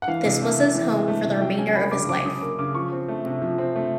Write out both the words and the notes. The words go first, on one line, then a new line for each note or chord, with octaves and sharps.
This was his home for the remainder of his life.
F#5
E3 F5
C3
A3
C3
E3
C3
A3
C3
F#3 G5
C#4 G#5
A#3 B5
C#3 D6
F#3 D6
C#4 D#6
A#3 D6
C#3 D6
F3 C#6
C4
A3
C3
F3
C4
A3